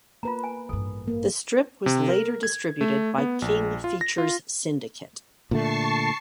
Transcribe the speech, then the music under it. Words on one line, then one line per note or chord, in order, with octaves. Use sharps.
The strip was later distributed by King Features Syndicate.
A#3 F4 B4 A#5
G#5
A1 G2 A4
A#3
C3
A#4
G#6
A3
B3
A#1
F4
A#6
F4
A#2 D3 A3 A5 C#6 C7